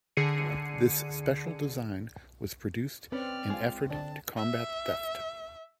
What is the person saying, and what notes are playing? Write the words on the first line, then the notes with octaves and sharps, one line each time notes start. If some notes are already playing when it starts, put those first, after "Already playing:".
This special design was produced in effort to combat theft.
D3 G#4 C7 C#7 D#7
C4 C#4 B4 D5 F6
G#3 F4
D3 D4 A5
E5